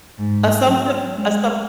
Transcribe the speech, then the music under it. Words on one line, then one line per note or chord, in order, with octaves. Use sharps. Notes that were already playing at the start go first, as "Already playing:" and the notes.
Assumptive assump
G#2
F#3
G#3